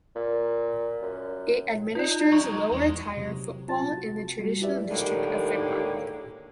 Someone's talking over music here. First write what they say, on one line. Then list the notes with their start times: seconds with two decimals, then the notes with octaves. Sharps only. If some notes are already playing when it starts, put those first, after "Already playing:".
It administers lower tier football in the traditional district of Finnmark.
0.15 A#2
1.01 F#2
1.95 D#4 F4 D5
2.32 F#3 G#3 A#5 C#6
2.72 E2 G#3
3.17 C3 F#3
3.68 C4 F4 A5 A6
3.97 F#4
4.39 G3 F#4
4.62 E4 F#4 G4 B4 D5 E5
4.90 D#2 A2 D3 G#3 A#3 G4